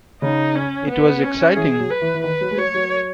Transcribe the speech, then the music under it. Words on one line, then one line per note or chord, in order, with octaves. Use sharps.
It was exciting.
C#3 D#4
C#4
B3
C#4
E3 G#4
F#3
B4
E3
E3
D#3 B4
F#3
G#3
F#3 C#5
F#3